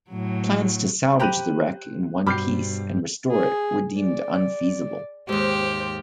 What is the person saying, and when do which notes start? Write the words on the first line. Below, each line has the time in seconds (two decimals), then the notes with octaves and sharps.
Plans to salvage the wreck in one piece and restore it were deemed unfeasible.
0.10 A2 F#3
1.20 G4 C5 A#5 B5 F#6 D#7
2.27 G2 B2 C5 B5 D6 F6 G6 C7
3.30 G#4
3.99 D5
5.29 D#2 G#2 G4 C5